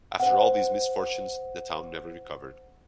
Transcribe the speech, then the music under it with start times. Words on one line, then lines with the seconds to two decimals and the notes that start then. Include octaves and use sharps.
After all these misfortunes, the town never recovered.
0.20 C5 F#5